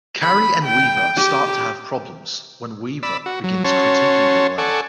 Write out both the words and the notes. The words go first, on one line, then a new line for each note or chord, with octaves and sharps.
Carrie and Weaver start to have problems when Weaver begins critiquing her work.
B5
G5
G4
D5 B5 E6
F#4
F#3
C#4 F#4 C#5 A5 C6
A4 D5 F#5 G#5 C#6